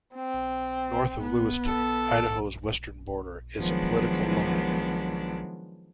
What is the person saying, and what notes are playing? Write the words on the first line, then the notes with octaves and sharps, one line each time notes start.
North of Lewiston, Idaho's western border is a political line.
C4
B3
A4
D#3 F3 F#3 G#3 B3 D4